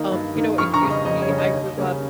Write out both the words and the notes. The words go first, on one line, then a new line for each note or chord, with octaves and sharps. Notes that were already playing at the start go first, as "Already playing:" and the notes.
um, you know it used to be I grew up,
Already playing: D#3 A#3 D#4
G2
D#3 A#3 D#4
F2 C#6 F6
A#5 C#6
C#3 G3 C#4
D#5
F2 D#5
C#5
C#3 G3 C#4
D#5
D#2
C#3 G3 A#3 C#4